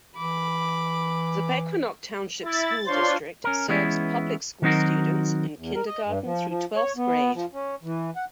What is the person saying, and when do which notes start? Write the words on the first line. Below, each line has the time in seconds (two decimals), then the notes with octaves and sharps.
The Pequannock Township School District serves public school students in kindergarten through twelfth grade.
0.17 E3 B5 D6
2.44 E4 A6
2.86 D4 F4 C5 C#5 C6
3.44 C#4 A#4
3.68 E3 G#3 B3 C#4 E4
4.62 D#3 F#3 C4 D#4 F#4 A#4
5.56 E2
5.75 A#4
5.87 D#5
6.06 G2
6.24 F3
6.48 F3
6.76 C#5
6.96 B3
7.34 F3
7.53 C#4
7.83 E3
8.16 F#5